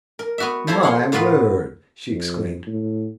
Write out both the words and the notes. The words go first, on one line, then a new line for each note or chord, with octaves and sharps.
'My word!' she exclaimed.
A#4
B3 F#4 E5
F3 E4 A4 C5 C#5
F5 F#5 C6
A2 F#3 B3 F4 A#4 B4
F2
A2